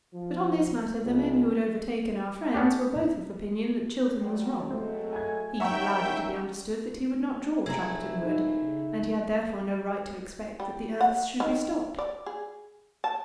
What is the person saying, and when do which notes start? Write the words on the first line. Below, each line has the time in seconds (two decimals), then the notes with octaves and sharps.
But on this matter the men who had overtaken our friends were both of opinion that Chiltern was wrong. He had allowed it to be understood that he would not draw Trumpeton Wood, and he had therefore no right to expect that the earths should be stopped.
0.14 F3
1.03 C#2
2.54 B3 C#4 D4 G4
4.18 F#3 G3
4.71 F#3 G#3 A3 C4
5.13 G#5 G#6
5.60 D#3 C#4 E5 F#5 G5 A#5 C#6
7.66 F1 A3 E4 G#4 A#5
8.23 D#1 D#4
8.62 C#3
10.60 G3
11.01 F#5
11.40 D#3
11.99 D5
12.26 G#4
13.04 A5